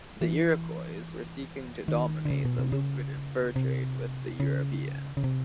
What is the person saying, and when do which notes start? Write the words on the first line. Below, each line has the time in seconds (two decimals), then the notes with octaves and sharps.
The Iroquois were seeking to dominate the lucrative fur trade with the Europeans.
0.21 E3
1.88 D#3
2.25 D3
2.30 C#3
2.45 B2
2.59 C3
2.72 C#3
3.56 C3
4.40 C#3
5.17 C#3
5.24 C3